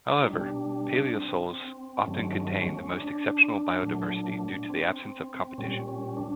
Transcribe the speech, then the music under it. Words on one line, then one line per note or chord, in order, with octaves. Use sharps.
However, paleosols often contain the most exceptional biodiversity due to the absence of competition.
D#4
B2 G3 D4
C4
G2 D#3 F#3 A3 C#4
C#4
D4
A#2 F#3 A3
C4
A#2 G3 C#4
C#4
D4